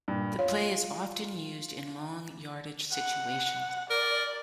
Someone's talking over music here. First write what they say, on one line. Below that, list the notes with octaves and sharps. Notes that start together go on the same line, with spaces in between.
The play is often used in long yardage situations.
G2 A#2
F4 C#5
F#5
A#4 D5